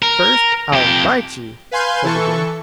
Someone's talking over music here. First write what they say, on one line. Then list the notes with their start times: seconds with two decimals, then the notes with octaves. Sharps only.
"First, I'll bite you," said the bear.
0.02 A#4
0.73 F2 G4
1.71 B4 F5 G#5 C6 G6
2.04 E3 A4 C#6